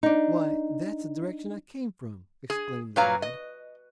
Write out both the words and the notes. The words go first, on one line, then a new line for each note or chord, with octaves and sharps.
"Why, that's the direction I came from," exclaimed the lad.
D4 D#4
G#4
A#2 F#3 B4 C#5 F5 A#5
D#5